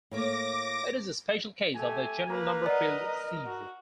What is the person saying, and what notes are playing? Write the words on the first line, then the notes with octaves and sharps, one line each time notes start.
It is a special case of the general number field sieve.
A2 A#3 C#5 D6 A#6
A3 G4 G#5
A#3 B4 A#5
A#4 D5 D#5 F#5
F#4